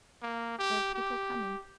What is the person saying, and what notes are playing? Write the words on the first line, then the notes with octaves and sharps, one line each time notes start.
There are people coming....
A#3
G4
G4